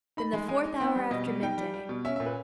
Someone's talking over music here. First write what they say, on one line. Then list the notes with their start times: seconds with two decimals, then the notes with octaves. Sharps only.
'Then the fourth hour after midday.
0.17 D#4 B5
0.33 G#3
0.48 G#3 G#5
0.64 D#4
0.80 B3 G5
0.96 G3
1.11 B2 D#5
1.27 G3
1.42 D#4 G5
1.58 G3
1.74 G3
1.89 B2
2.05 C#4 E5
2.16 E5
2.20 A#2
2.26 B4